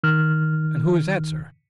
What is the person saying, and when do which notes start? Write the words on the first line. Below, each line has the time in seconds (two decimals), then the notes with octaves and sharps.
"And who is that, sir?"
0.04 D#3 F6